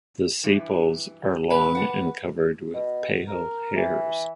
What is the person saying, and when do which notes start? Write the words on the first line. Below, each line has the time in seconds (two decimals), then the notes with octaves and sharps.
The sepals are long and covered with pale hairs.
0.43 G2 E3
1.51 G#2 B4
1.75 F#5 A5
2.74 B2
3.27 A#4
3.76 E3